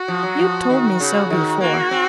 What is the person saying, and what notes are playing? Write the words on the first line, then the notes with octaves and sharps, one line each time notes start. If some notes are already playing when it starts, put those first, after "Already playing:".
"You told me so before."
Already playing: F#4
F3
F#3
F3
D#3
C#3
D#3
A#3 F#4
C4